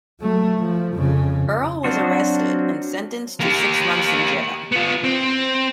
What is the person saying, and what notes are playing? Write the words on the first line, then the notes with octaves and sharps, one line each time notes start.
Earle was arrested and sentenced to six months in jail.
F#3 A3
F3
F2 C#3
F#3 C4 D4 F4 F#4
A#3 G4
B3 F4
C4